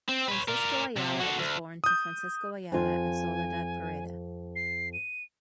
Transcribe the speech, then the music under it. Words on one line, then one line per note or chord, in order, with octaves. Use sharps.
Francisco Ayala was born to Francisco Ayala and Soledad Pereda.
C4
B4 C#5
A#4 D5
C3
F#4 A4
D2
D#6 G6
F2 F4 G#5
C7
D#7